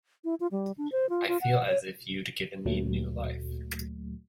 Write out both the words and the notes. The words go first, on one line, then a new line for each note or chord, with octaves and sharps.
I feel as if you’d given me new life.
E4
F4
G3
D4
C5
F4
F4
F#5
C#5
D2 A#2 F#3 A3